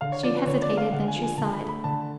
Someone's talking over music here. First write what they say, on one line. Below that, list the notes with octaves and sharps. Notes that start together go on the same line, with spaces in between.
She hesitated; then she sighed.
D3 F5
C#5
F3 D5
B4
D3 C#5
D5
A3
F5
D3 F#5
G#5
F3
G#5
D3 A5
B5
A3
B5
D3 A5